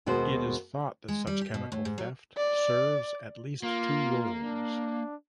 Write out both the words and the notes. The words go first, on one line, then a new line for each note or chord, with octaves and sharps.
It is thought that such chemical theft serves at least two roles.
D#2 B2 G#3 F#4 C5
G#3
G3
G4
B2
A2
G#2
F#3
D5
A#3 F4
D4